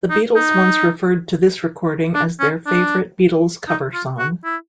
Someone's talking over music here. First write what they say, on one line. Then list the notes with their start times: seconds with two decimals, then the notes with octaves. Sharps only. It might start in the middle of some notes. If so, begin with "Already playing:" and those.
The Beatles once referred to this recording as their favorite Beatles cover song.
0.10 D#4
0.36 D#4
2.14 D4
2.40 C#4
2.66 D4
3.68 D#4
3.94 F4
4.19 F#4
4.44 E4